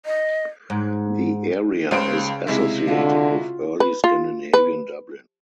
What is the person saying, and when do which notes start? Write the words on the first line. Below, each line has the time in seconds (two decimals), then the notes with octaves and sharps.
The area is associated with Early Scandinavian Dublin.
0.06 D#5
0.70 G#2
1.91 C#2 C#3 C5 D7
2.47 C3 G#3 E4
2.88 D3 F4 F#4
3.80 B4
4.04 F4
4.53 B4